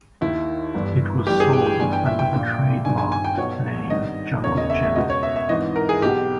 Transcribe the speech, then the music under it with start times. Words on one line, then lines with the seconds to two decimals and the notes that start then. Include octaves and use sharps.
It was sold under the trademarked name Junglegym.
0.21 D#2 D#3 E4
0.74 G1 G2 E3
1.27 G1 G2 E3 G4
1.40 G#4
1.53 G5
1.66 G5
1.80 G1 G2 E3 G#5
1.93 G5
2.06 E5
2.19 G5
2.33 A#1 A#2
2.85 G1 G2 D#3 G#5
2.98 G#5
3.12 G#5
3.24 G5
3.37 B1 B2 C#5
3.90 G#1 G2 D#3 D#5
4.44 E1 E2 C#3 C#5
4.57 D#5
4.70 E5
4.83 E5
4.96 C#2 B2 D#5
5.10 C#5
5.23 E5
5.36 E5
5.49 G#1 G#2 E3 D#5
5.76 A#4
5.89 G#4
6.02 B1 B2 G4